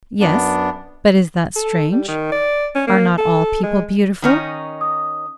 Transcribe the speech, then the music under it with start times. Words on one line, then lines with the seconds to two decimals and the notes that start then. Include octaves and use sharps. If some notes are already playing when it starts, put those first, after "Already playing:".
"Yes; but is that strange--are not all people beautiful?"
0.20 F#2 B3 D4
1.56 A4
1.92 G3
2.08 D#3
2.32 D5
2.75 C#4
2.87 A#3
3.18 A4
3.63 G#3
4.22 D#3 C#4 D#4
4.81 D#6